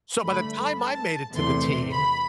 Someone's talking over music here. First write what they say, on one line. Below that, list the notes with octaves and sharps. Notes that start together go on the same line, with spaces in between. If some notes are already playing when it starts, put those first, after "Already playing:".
so by the time I made it to the team,
G2 D3 A3 B5
A5
E2 C3 E3 A3 C6
B5